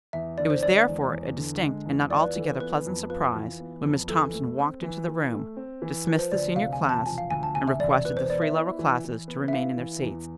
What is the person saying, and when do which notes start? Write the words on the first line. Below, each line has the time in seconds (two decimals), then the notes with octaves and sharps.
It was therefore a distinct and not altogether pleasant surprise when Miss Thompson walked into the room, dismissed the senior class and requested the three lower classes to remain in their seats.
0.13 E2 E5
0.38 D3 D5
0.50 C5
0.62 G#3 D5
0.87 E2
1.11 E2
1.37 D3
1.61 G#3
1.86 E2
2.10 F4 D5
2.24 B4
2.35 E3 A4
2.48 B4
2.60 B3 B4
2.86 F2
3.10 F4 B4
3.35 E3
3.60 B3
3.84 F2
4.09 E3 A4
4.33 A3
4.59 C4
4.82 E3
5.08 E3
5.32 A3
5.57 C4
5.82 E3
6.07 F3 B4
6.19 C5
6.32 D2 D5
6.44 D5
6.56 C3 F5
6.73 G#5
6.81 E1
6.89 A5
7.06 F3 G#5
7.18 F5
7.30 D2 G#5
7.43 A5
7.55 C3 G#5
7.68 E5
7.79 E1 D5
8.05 E3 B4
8.17 C5
8.30 B3 D5
8.42 E5
8.54 E4
8.79 E3
9.04 E3
9.28 B3
9.48 E5
9.53 E4 F5
9.77 E3
10.03 E2